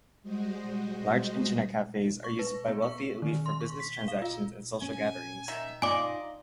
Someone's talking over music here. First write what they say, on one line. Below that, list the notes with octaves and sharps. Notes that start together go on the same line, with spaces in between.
Large Internet cafes are used by wealthy elite for business transactions and social gatherings.
G3 G#3 F#4 C5 D#5
C#6
B4
B3
C#6
D#3
C6
C#6
B6
G7
F5
F4
C#4 G#5
D#3 E5
G3 D#4 F4 D5 D#5 G#5 D6